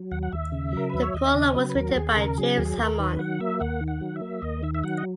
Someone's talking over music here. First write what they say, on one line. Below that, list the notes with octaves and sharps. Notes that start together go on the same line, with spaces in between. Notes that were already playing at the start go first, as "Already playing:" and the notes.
The prologue was written by James Hammond.
Already playing: F#3
D#2 F#5
F#5
D#2 E5
C#3
F#3 A#4
D#2 B4
C#5
D#2 D#5
E5
C#3 D#5
C#5
F#3 B4
B4
D#2 A#4
F#4
D#2 G#4
C#3 A#4
F#3 G#4
D#2 G#4
D#2 A#4
D#3 B4
F#3 F#5
A#3 E5
D#2 F#5
D#3
F#5
F#3
E5
A#3
D#2 D#5
D#3 E5
E5
F#3 F#5
D#5